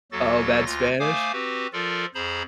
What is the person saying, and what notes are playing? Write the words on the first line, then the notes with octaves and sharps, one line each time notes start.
Oh, bad Spanish?
D#2 F#3 F#4 A4 A6
D2 F4 A#6
A3 C5 F5 G#5 D6 D#6
C4 F#4 G4 B4
F3 F4 A4 A#4 D5
F2 G#4 C5 A#5 B5